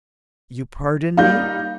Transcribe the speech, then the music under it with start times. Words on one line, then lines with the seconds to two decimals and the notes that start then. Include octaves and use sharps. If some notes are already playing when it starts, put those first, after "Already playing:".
"You pardon me?"
1.17 G3 A#3 D#4 F5 G6